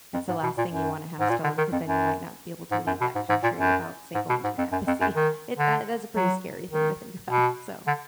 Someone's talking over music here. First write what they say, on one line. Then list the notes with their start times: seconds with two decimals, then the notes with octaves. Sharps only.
it's the last thing you wanna have stolen, 'cause then you might not be able to leave that country without, say, going to an embassy, it that that's a pretty scary thing to think about, so,
0.14 F2
0.29 G#2
0.43 B2
0.58 A#2
0.72 F#2
1.20 G#2
1.29 A#2
1.43 D3
1.58 D#3
1.72 F2
1.87 F#2
2.72 G#2
2.87 F#2
3.01 B2
3.15 G#2
3.29 G#2
3.43 A#2
3.58 F#2
4.14 G#2
4.29 B2
4.44 G#2
4.58 F2
4.72 F#2
4.87 F2
5.01 F#2
5.16 D#3
5.58 D3
6.16 F#3
6.72 D#3
7.30 B2
7.87 D3